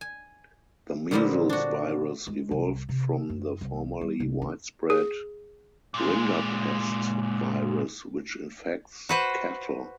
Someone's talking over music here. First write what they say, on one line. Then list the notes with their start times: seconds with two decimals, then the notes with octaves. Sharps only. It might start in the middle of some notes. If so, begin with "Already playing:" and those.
The measles virus evolved from the formerly widespread rinderpest virus, which infects cattle.
0.01 G#5
1.11 A#2 D3 F3 G3 B3 C4
1.50 D4 F#4
2.27 G#3
2.51 C2
2.89 C3
3.29 F#2
3.61 C2
4.01 G3
4.20 C2
4.42 D4
4.90 G#4
5.94 A#2 G#3
9.09 F#4 B4 C5